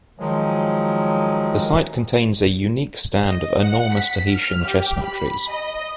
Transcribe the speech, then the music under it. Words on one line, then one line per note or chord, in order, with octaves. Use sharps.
The site contains a unique stand of enormous Tahitian chestnut trees.
D#3 F3 F#3 G#3
D#5
F#5
B6
F6
G4
B5
D#5